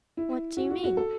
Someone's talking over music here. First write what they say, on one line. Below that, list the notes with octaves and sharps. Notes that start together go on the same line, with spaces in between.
What do you mean?
E4
F#4
F#4
F#4
A4